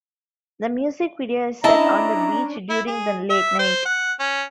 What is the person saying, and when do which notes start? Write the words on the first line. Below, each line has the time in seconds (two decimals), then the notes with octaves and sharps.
The music video is set on the beach during the late night.
1.64 C#4 D4 E4 D5 D#5 A5 A#5
2.70 E4
2.87 G#4
3.30 E5
3.59 C5
3.85 F#5
4.19 C#4